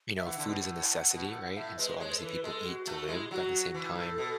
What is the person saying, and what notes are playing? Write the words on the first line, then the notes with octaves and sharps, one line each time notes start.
you know, food is a necessity, right? And so, obviously, people eat to live, but at the same time,
E5
E3 F#5
D3
B2
A2
B2
A2
A2 E5
G#3 B4
G#3 C#5
B4
A4
E3 B4
B4
G#3 A4
F#4
A3 F#4
G#3 E4
G#4
F#3 F#4
E3
A2 A4
B2 A4